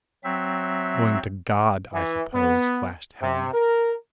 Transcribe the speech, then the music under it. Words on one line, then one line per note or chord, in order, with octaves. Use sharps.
"Owing to God, I suppose," flashed Helen.
F#3 C4 E5
E3
B3
C3
A#4